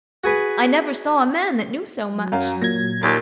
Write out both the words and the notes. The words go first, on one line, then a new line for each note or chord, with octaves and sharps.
"I never saw a man that knew so much!"
F#4 G#4 B4
F#3
F#2 F5
A#2 G#6 A#6
D#2 A#2 A6